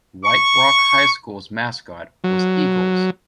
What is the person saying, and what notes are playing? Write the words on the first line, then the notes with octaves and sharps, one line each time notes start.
White Rock High School's mascot was Eagles.
C#6
F#3